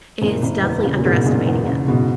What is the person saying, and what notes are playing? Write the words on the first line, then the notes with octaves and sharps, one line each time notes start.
It's definitely underestimating it.
F#1 A#2
F#1
E2
C#3
A#2
F#1 G#2 B2
F#1 A#2 C#3
E2 A#2
C#3
F#1 G#2 B2